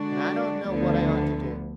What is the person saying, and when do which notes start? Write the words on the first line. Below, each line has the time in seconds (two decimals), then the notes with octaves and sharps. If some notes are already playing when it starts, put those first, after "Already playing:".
And I don't know what I ought to do.
Already playing: D3 G#3 D4 F#4 D5
0.67 D2 D3 F3 B3